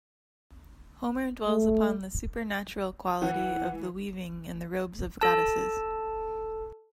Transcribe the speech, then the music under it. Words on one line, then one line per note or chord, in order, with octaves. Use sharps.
Homer dwells upon the supernatural quality of the weaving in the robes of goddesses.
A3
E3 F#5
A4 A5